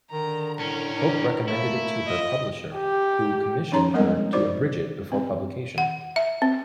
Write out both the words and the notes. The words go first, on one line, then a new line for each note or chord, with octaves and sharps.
Pope recommended it to her publisher, who commissioned her to abridge it before publication.
D3 D#3 A#5
C2 A2 C#4 A#4
D4 A#4
A3 A#3 E4 B5
F4 D#5
G4
F3 C#4 D#4 C#5 A#5 C6
G3 G#3 B3 C4 A#4 D#5
D#4 F#4 C5 D5 D6
C4
F#5
E5
C4